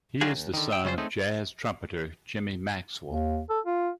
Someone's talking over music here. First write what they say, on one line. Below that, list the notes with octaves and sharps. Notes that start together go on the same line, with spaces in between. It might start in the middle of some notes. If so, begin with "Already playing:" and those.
He is the son of jazz trumpeter Jimmy Maxwell.
D#3 F#3 G3 F4 F#4 G#4
D#2
D3 D#3
G5
C#3 G3 C#4 D4 F4 C5
A3 C4 C#4 D#4 G#4
D#2
A4
F4